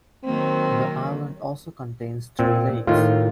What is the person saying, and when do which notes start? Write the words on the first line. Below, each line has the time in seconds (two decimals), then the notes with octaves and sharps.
The island also contains three lakes.
0.25 D#3 F#3 A#3 C4
2.39 A#2 C4
2.87 A2 D#3 F4